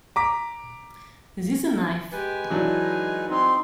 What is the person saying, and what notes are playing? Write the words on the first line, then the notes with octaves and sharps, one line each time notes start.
This is a knife!
A#5 D6 B6
G#3 G4 B4 G#5
E3 F#3 D4 D#4
C4 D#4 C6